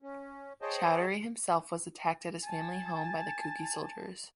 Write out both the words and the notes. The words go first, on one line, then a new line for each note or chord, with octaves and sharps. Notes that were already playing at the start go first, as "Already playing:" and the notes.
Choudhury himself was attacked at his family home by the Kuki soldiers.
C#4
G#4 C5 C#5 D#5 G5 A5
G#5 A5